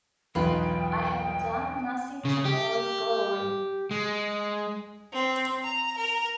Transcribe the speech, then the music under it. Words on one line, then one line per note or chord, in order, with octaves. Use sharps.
I have done nothing to merit glory.
B1 E2 D#4 F4 B4 G5
C#3
G4
G#3
C4
A#5
A#4